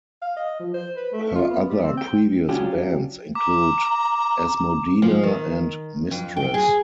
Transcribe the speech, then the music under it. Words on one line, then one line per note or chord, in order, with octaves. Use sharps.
Her other previous bands include Asmodina and Mistress.
F5
D#5
F3
C5
B4
A3
F4
B3
G3
C4
G5
F#3 C#4 D4 F4 G4
A#5 D6
F3
D#3
F2
G5
G#4